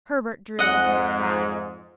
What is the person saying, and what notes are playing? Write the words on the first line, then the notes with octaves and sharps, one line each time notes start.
Herbert drew a deep sigh.
F2 G#2 D#5 F#5